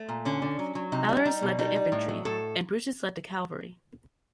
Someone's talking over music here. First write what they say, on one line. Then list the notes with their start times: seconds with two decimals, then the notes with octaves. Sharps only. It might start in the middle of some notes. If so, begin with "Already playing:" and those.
Valerius led the infantry, and Brutus led the cavalry.
Already playing: A3
0.09 A#2
0.25 D3 C#4
0.42 D3
0.59 F#3
0.75 F#3
0.92 C3 D#4
1.09 G3
1.25 G3 D#4
1.42 B2
1.59 G3 D#4
1.76 G3
1.92 A2
2.09 F#3
2.25 A2 A4